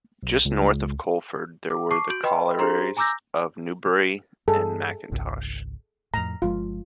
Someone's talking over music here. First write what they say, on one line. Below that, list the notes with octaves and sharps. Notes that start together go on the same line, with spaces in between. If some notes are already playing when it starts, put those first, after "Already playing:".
Just north of Coleford there were the collieries of Newbury and Mackintosh.
B1
C#2
D6
A5 C#6 D6 C7
F#4 G6 D7 F#7
B4 D#5 G5 B5 C6
D4 G4 G#4 C5 A#5 C6
G#5 A#5 D6 E6 G6 A#6
G2 G#4 A4
G#1 C#2
F2 A2 A#5
G1 F3 G#3 F4